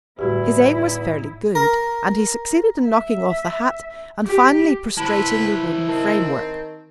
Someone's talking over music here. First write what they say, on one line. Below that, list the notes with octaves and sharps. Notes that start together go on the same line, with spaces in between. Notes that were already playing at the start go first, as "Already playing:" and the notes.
His aim was fairly good, and he succeeded in knocking off the hat and finally prostrating the wooden framework.
G1 E2 A2 G3 D#4 E4 F#4 G4
A#4
E5
G4
E4 B4 C5 A5 B5
D#3 C4 A5